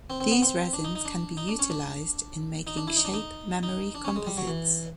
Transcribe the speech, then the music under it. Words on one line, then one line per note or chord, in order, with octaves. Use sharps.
These resins can be utilized in making shape memory composites.
C4
C4
B3
C4
D4
D#4
D#4
D4
D#4
D4
C#4
D4
D#4
D4
E4
D#4
D4
D#4
D#4
D4
C#4
G#3
G3
F#3
E3